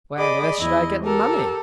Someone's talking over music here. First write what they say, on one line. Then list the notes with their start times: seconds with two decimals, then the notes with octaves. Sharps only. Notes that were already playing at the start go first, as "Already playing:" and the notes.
"Where on earth should I get the money?"
0.17 G#4 D5 D#5 B5 D6
0.59 E2 E4 D#5
1.05 G4 A4 A#4